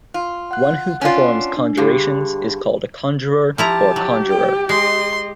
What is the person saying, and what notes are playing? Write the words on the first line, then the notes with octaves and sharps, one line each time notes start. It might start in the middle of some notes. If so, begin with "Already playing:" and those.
One who performs conjurations is called a conjurer or conjuror.
F4
F#5 F#6
C#4 D4 F4
D4
G2 D3 G4 G#4
F3 E4 G4 A5 A#5
F#3
G5
G#3 D#5 C6